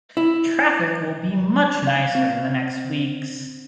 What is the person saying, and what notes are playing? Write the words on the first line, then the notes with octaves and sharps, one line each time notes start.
Traffic will be much nicer the next weeks.
E4
F5
C4